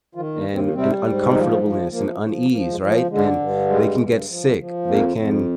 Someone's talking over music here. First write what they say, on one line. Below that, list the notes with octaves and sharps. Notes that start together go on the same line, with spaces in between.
and and uncomfortableness, and unease, right? And they can get sick, they can
D#3 F3 F4
A#3
D#2
C3 C4
C3 G3 C4
G#2
D#3 F3 D#4
A#3
F3
G#3
F3 A#3
F3
F3 A#3
G#3
F3
A#3
D3 G#3
G2
G3 G#3
G2
F3
F3
F2 A#3
F2